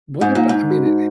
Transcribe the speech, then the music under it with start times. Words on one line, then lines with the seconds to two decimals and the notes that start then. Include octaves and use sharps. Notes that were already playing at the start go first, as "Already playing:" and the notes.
what abou I mean, eh
0.21 G#2 D#4
0.35 A#2 D#4
0.49 G#2 D#4
0.71 F#4
0.86 D#4